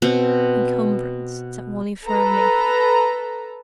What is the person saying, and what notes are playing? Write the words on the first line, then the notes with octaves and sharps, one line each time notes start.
"Encumbrance," said Wally firmly.
B2 C4
A4 B4 A#5